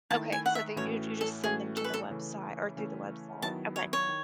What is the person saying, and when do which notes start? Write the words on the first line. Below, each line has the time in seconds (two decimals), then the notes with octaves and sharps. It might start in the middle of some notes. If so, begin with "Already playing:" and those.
okay. So they you you just send them to the website or through the website. Okay.
0.11 D#3 A3 E4 A5
0.32 G#5
0.46 F#5
0.55 E5
0.76 A2 E3 A3 C#4 F#4 C#5
1.21 A4
1.44 A2 E3 A3 C#4 F#4 G#4
1.77 A4
1.84 B4
1.94 A4
2.10 C#3 E3 A3 C#4
2.76 C#3 E3 A3 C#4
3.42 D#3 F#3 B3 E4 A5
3.76 C#5
3.93 C#5
4.08 D#3